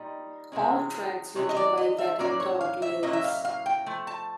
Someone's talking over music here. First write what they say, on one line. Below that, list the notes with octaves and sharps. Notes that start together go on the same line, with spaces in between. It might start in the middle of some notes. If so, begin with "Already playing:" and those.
All tracks written by Vaden Todd Lewis.
Already playing: A#2 G3 D#4
C3 E3 G#3 C#4
C3 E3 G#3 C#4 C#5
D#5
D5
D#5
E5
A2 F#3 A#3 C#4 D5
C#5
F5
E5
A2 F#3 A#3 C#4 D#5
E5
F5
F5
G5
F3 A3
A5